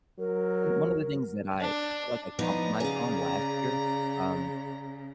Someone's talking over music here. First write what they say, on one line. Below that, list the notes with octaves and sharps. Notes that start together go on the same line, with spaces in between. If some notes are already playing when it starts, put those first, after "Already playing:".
one one of the things that I I felt like I compromised on last year- um,
F#3 A#4
D4
F3 B3 D#4 D5 A#5
C#3 G#4 F5